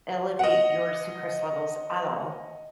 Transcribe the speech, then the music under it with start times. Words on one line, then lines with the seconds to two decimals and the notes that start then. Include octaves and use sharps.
elevate your sucrose levels at all.
0.39 D#5 F#5